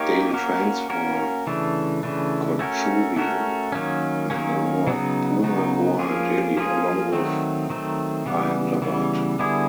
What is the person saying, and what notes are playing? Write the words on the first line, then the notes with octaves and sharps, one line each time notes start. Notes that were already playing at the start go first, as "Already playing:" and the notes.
Daily trains for Kochuveli, Mangalore, Pune, Goa and Delhi along with Ahemdabad.
Already playing: A#3 D#4 G4 A#4 C#5
A#3 C#4 F#4 A#4
A#3 C#4 F#4 A#4
C#3 E3 A3 D4
C#3 E3 A3 D4
A3 C#4 F#4 A#4
A3 C#4 F#4 A#4
D#3 F#3 A#3 C#4
D#3 F#3 A#3 C#4
C#3 F#3 B3 D#4
C#3 F#3 B3 D#4
F3 A#3 C#4 F4 G#4
F3 A#3 C#4 F4 G#4
D#3 F#3 A3 C4
D#3 F#3 A3 C4
C#3 E3 G3 B3
C#3 E3 G3 B3
D3 G3 B3 E4 G#4